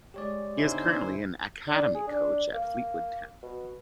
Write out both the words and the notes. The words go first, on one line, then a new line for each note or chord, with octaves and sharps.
He is currently an academy coach at Fleetwood Town.
G#3 G4 C#5 D5
B2 D3 D#4 E4 C5 G#5
D4
G#4
D4
A#3
B2